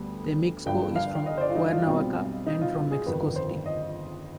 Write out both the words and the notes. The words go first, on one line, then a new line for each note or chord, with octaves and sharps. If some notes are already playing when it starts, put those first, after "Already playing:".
Temixco is from Cuernavaca and from Mexico City.
Already playing: D2 D3 G3 B3
G1 G2 D3 F3 G5
F5
D#5
C5
D5
F4
D#4
F4
B1 B2 G3 C4
D#4
F4
G#4
G1 F2 D#3 B4
C5
D#5